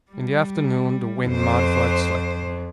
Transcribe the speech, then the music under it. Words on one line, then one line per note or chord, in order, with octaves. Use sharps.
In the afternoon the wind modified slightly.
G3
F2 C5